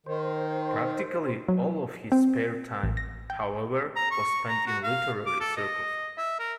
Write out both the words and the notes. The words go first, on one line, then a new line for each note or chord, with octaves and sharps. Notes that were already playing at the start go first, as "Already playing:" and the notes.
Practically all of his spare time, however, was spent in literary circles.
D#3 C5
F#3
C4
A1
A#6
G5
A#5
C#6
A#5
F#4
F5
D6
A4
D#5
E5
A#4